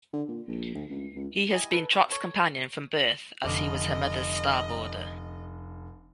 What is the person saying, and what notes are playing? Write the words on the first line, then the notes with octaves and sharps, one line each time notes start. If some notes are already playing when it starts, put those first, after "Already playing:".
He has been Trot's companion from birth as he was her mother's star boarder.
D3
A#2
A#1
D2
C#2
C#2
G3 E4 D#5 G#5
A4 B4
C3 F#3 G3
A4 C#5
F1 D3 D#5 D6